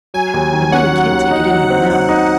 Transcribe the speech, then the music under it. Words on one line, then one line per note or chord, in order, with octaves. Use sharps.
I really can't take it in even now....
F#3 G#5
D#2
D#3
C#4 F#5
F#3
D#2
D#4
F#3
C4
F#3 F#5
D#4